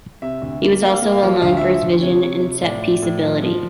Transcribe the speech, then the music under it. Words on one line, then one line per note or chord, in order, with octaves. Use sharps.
He was also well known for his vision and set-piece ability.
C3 E5
D2
A#3
A#3 F5
A#3
F5
F3
D2 F5
F3 E5
E5
D2
C3 C#5
C3
C3
A2 D5
A2
A2
F3
F3